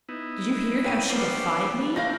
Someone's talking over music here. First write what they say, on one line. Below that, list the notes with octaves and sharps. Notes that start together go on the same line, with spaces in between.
Did you hear how she defied me?
B3 D#4 E4
F#3 B4 G5 D#7
B3 C#4 D4 G4 C5
A3 E4 G4 F5 F#5 A#6